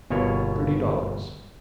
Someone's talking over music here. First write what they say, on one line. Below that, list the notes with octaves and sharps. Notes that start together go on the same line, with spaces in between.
"Thirty dollars."
G1 B2 A#3 C#5